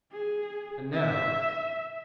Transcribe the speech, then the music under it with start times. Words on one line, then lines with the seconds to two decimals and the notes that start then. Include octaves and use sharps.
And, now!
0.12 G#4
0.93 E5